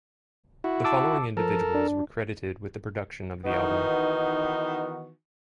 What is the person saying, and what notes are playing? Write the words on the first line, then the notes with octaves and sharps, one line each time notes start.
The following individuals were credited with the production of the album.
E4 F#4
A5 D6 E6
F3 A4 A#4
D4
D#3 E3 B3 D#4 F#4